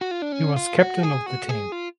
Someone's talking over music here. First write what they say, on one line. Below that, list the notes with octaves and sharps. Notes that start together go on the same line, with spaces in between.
He was captain of the team.
F#4
F4
D4
C#4
F4
F#4
G#4
F#4
G#4
F4